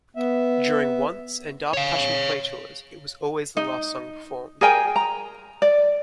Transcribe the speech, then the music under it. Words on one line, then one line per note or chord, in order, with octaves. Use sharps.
During Once and Dark Passion Play tours it was always the last song performed.
B3 E5
C#5 F5
D#4
G#4 A#4 G5 G#5
A#5
D5